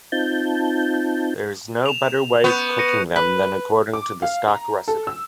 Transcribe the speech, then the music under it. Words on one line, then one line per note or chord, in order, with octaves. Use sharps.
There is no better way of cooking them than according to the stock recipe.
C4 D#4 F4 A5 G6
E7 F7
B3 C#6 G6 F7
A#6 C#7 D#7
B4
D6
F5
A#5
A4
E6